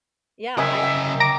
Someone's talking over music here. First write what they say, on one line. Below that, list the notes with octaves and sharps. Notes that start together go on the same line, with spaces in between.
Yeah I've
C#3 A#4 D#5 E5 G5 G#5
G5
A#5 D6 A#6 D7